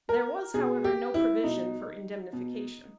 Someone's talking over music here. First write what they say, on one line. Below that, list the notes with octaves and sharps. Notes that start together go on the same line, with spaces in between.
There was, however, no provision for indemnification.
A#4
B2 G#4
G4
E4
B2 D#4
B2